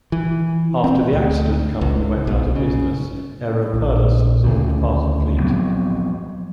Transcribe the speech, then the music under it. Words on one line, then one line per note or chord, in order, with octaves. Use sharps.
After the accident company went out of business, Aeroperlas absorbed part of the fleet.
E3
C4
D2
C#2
B1
C#3
A#1
D2 C#3
F3 F#3 B3 C4